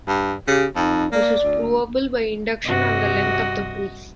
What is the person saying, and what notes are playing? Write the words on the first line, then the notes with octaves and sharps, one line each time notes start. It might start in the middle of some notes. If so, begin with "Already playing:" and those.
This is provable by induction on the length of the proof.
G2
C#3 G4
F2 D#4
A#3 D5
D2
G2 C3 F#4 D#5